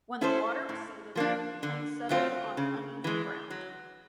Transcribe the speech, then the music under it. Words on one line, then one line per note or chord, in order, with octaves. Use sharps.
When the water receded, the tank settled on uneven ground.
C#4 E4 A4 C5
A2
F3 A#3 D4
D3
F#3 A3 C4 F4
C#3
E3 G#3
F#3